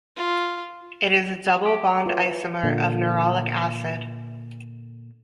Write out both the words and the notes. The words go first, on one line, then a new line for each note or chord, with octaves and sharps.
It is a double bond isomer of nerolic acid.
F4
G4
E3 F4 C#5
A#2 D3